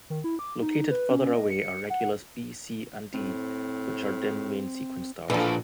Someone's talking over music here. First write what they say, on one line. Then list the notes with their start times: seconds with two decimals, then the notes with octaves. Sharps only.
Located farther away are Regulus B, C, and D, which are dim main-sequence stars.
0.10 D#3
0.24 E4
0.39 D6
0.62 D#4
0.91 B4
1.10 C#4
1.34 D#5
1.50 C#7
1.90 F#5
3.14 A2 C4
5.30 A#2 D3 E3 F3 A4